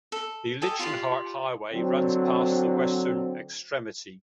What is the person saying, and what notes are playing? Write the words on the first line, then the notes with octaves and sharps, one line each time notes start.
The Leichhardt Highway runs past the western extremity.
A4
G4 A4 D#5 G#5
F4 G4 D5 C6
D3 F#3 C4